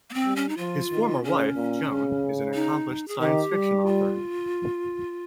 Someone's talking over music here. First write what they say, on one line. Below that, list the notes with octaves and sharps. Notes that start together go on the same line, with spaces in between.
His former wife, Joan, is an accomplished science fiction author.
A#3
C4
G3
C#4
D#4
F3 F4
D#3
C#3 C#4
A#2
C#3
D#4
G#4
D#3 G4
G3
F4